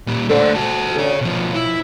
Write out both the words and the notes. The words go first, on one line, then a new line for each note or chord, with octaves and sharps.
Sure. Yeah.
A#2 G3
A3 C5
F#4 A4
G#4 C#5
B2 F3
E4